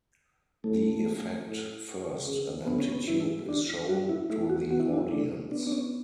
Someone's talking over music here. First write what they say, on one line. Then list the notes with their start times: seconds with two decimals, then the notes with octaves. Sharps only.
The Effect: First, an empty tube is shown to the audience.
0.64 A2 A3
1.46 A2
2.27 C#3
2.67 D3 B3
2.80 C#4
2.92 B3
3.08 E3 E4
3.49 D4
3.89 G3 F#4
4.09 E4
4.30 A3 E4
4.50 F#4
4.71 B3 F#4
4.80 E4
4.89 D4
4.98 E4
5.11 A3 D4
5.52 B3 D4
5.67 D4
5.72 C#4